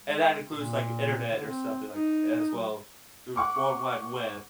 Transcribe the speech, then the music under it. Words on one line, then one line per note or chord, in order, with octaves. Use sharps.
and that includes like, Internet or something like, a as well through World Wide Web.
G#3
A#2
D3
C4
D#4
F#3
F#5 C#6 D6